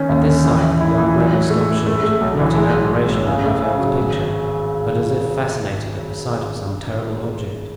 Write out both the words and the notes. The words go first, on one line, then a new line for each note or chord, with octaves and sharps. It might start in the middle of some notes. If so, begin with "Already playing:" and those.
At this sight the young man stopped short, not in admiration of Raphael's picture, but as if fascinated at the sight of some terrible object.
Already playing: D#3 C#4
D#2
C#4
E3
E3
E4
E3
F#3
A2
A3
A3
A3
A3
B1
E3
G#3
B1
B1
A2
C#3
A3
C#3
F#3
G#1